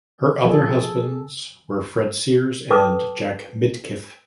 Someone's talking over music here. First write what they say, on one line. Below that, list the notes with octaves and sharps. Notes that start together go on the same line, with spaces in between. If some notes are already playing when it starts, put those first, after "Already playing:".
Her other husbands were Fred Sears and Jack Midkiff.
F3 G#4 A4
A4 B4 G5 A5 D6 D#6